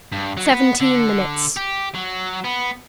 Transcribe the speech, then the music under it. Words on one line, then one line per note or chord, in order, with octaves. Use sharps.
Seventeen minutes.
G2
F#3
B3
D3
G4
F#3
B3